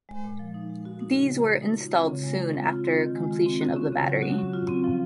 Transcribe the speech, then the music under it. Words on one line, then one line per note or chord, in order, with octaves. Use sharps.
These were installed soon after completion of the battery.
G#3
A#2
F3
D#4
G#3
F#4
D#4
C#3
G#3
F#4
D#4
F4
C4
C#3
G#3
F4
C4
F4
C4
D#3
G#3
F4
C4
F#4
C#4
C#3
F#3
F#4
C#4
F4
C4
F3